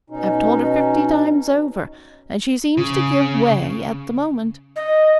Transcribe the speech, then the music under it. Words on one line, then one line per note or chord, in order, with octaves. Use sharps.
I have told her fifty times over, and she seems to give way at the moment.
B2 C#4 D#4
C#3
D#5